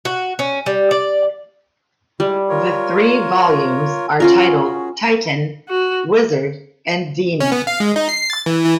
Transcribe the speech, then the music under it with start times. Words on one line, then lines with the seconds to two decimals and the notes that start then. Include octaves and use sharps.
The three volumes are titled "Titan", "Wizard", and "Demon".
0.05 F#4
0.39 C#4
0.66 G3
0.91 D5
2.20 G3 G#3 E4
2.49 F4 A#4 C#5
4.20 C#4 F4 F#4 G#4 A#4
5.69 F#4
7.40 C#4
7.52 B3
7.67 F5
7.80 G#3
7.96 D#4
8.09 C7
8.30 A6
8.46 E3
8.65 E3